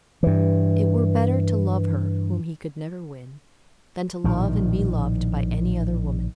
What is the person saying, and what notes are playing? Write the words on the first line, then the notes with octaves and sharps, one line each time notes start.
It were better to love her, whom he could never win, than to love and be loved by any other woman.
G2 E3
A#1 A2 D#3